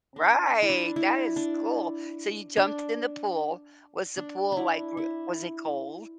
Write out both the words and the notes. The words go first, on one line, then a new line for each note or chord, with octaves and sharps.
Right, that is cool. So, you jumped in the pool. Was the pool, like, w was it cold?
D4
E4
D4
E4
D4
D4
D4
D4 E4
E4